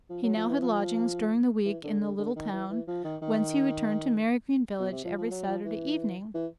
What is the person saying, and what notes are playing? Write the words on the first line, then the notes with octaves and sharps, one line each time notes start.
He now had lodgings during the week in the little town, whence he returned to Marygreen village every Saturday evening.
F3
F#3
F3
E3
F3
E3
D3
D3
D3
D#3
E3
E3
F3
D#3
D#3
B2
C3
F3
F3
F#3
F3
E3
E3